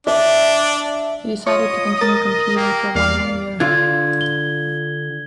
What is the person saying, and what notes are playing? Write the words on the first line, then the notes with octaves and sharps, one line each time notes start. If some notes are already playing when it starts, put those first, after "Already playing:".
He decided to continue competing for one more year.
D4 E5
F4 C#5 D#5 D#6 C#7
A#4 A6
A#3 G4
E2 A#3 D5 F5
D3 F4 G#6
G7